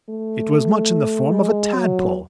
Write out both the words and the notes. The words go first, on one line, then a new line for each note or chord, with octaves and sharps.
It was much in the form of a tadpole!
A3
G#3
F#3